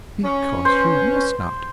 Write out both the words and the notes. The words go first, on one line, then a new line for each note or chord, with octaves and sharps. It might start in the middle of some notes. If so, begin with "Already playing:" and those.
'Because you must not.
C#4
B4 C5